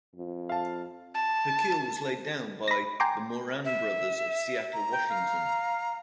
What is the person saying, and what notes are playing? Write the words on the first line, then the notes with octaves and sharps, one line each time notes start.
Her keel was laid down by the Moran Brothers of Seattle, Washington.
F2
F5 A5
A5
B5 A#6
G5 G#5 A#5 C6 D6
E5
A#5
G5
F5